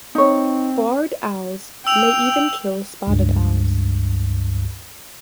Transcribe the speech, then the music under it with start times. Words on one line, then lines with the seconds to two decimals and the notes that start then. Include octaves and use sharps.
Barred owls may even kill spotted owls.
0.15 C4 D#4 C#5
1.87 G5 E6 F7
3.07 C#2 G2